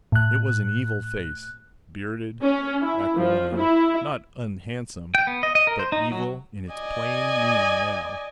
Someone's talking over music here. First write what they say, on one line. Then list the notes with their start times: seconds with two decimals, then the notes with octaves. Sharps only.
It was an evil face, bearded, aquiline, not unhandsome; but evil in its plain meaning now.
0.12 A2 F#6
2.42 C#4
2.81 E4
3.17 F3
3.56 E4
5.15 G5
5.27 B3
5.43 D#5
5.55 D#5
5.67 A#4
5.79 C5
5.92 D#4
6.12 F#3
6.73 D5 D#5 G#5